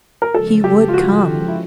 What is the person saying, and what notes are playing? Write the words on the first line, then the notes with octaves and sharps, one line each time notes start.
He would come!
A#4
C#3 F3 G#3 A4
G4
F4
F#4
E4